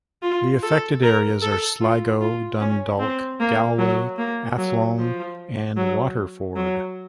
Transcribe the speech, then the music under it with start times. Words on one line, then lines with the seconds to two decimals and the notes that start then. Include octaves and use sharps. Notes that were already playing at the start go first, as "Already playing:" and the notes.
The affected areas are Sligo, Dundalk, Galway, Athlone and Waterford.
0.22 F4
0.63 A4
1.03 A#4
1.42 A4
1.81 F4
2.21 F4
2.61 C#4
2.99 C4
3.40 A#3
3.78 F#3
4.18 A#3
4.58 F#3
4.98 F3
5.77 F#3
6.56 F#3